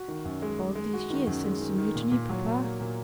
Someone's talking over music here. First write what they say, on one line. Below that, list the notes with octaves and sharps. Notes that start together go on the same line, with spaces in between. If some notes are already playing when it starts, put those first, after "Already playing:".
'All these years since the mutiny, papa?'
Already playing: F#4
D#3
F#2
G#3
G#3
G#3
F#4
D#3
F#2
G#3
D#3
D#3
A#2
A#2
F#3
A#2
A#3
A#2